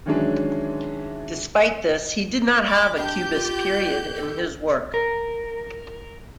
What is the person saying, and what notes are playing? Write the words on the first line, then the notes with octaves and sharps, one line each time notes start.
Despite this, he did not have a Cubist period in his work.
D#3 E3 F#3 G#3 C#4 D4
B5 D6
D4 G4 G6
F4
A4
A#4